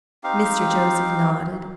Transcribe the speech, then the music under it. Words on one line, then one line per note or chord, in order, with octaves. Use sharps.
Mr. Joseph nodded.
C4 D#4 G4 F5